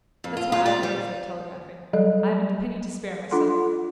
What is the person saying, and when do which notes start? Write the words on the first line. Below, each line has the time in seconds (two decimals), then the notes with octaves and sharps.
"That's why I wrote instead of telegraphing; I haven't a penny to spare myself!"
0.24 F2
0.37 F4
0.52 F4
0.66 D5
0.83 G3
1.93 F#3 G3 A4 D5 D#5
3.31 D4 F4 A4 F#5 C6